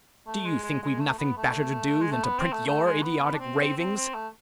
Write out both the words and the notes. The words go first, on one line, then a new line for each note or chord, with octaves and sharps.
Do you think we've nothing better to do than to print your idiotic ravings?
A3
G#3
G#3
G#3
A3
B3
A3
G#3
A3
B3
C4
A3
A3
G#3
B3
B3
D4
C4
C4
C4
C4
A3